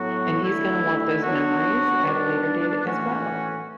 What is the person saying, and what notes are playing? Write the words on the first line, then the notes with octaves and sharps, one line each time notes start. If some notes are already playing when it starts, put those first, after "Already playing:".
and he's gonna want those memories at a later date as well.
Already playing: A2 F#3 B3 F#4
D3 A3 E4
F#3 B3 D4 F#4
B2 G3 D4
A2 E3 A3 C#4 F#4